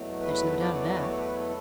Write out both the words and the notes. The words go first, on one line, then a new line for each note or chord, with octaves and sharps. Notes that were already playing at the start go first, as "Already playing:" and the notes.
There is no doubt of that.
Already playing: E2 B2 F#3 A3
B4
D5
C#5
D5
B4
C#5
A4
B4
A4